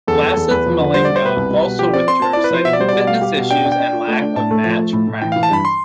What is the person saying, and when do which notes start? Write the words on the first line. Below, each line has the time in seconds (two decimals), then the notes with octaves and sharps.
Lasith Malinga also withdrew citing fitness issues and lack of match practice.
0.07 E2 A4
0.22 E2
0.37 E2
0.50 E2 B4
0.66 F3
0.80 D3
0.94 G3 C5
1.05 G3 D5
1.16 C5
1.22 B2 B4
1.36 C2
1.51 G3
1.65 B2
1.79 F3 G4
1.93 C4 D5
2.07 C4 C6
2.22 C4 A5
2.33 E4 D5
2.44 B4
2.50 F3 C5
2.65 B2 E5
2.73 D5
2.80 G3 C5
2.89 B2 D5
3.07 G3 F5
3.21 G4
3.37 B2
3.51 D4 G5
3.65 D4
3.72 G5
3.80 D4
3.93 F4
4.07 A3
4.21 D4
4.36 A2 A5
4.51 A3
4.64 F3
4.78 A3
4.93 A2
5.07 A2
5.21 E3 G5
5.32 E3 F5
5.43 A5
5.50 G2 B5
5.65 C6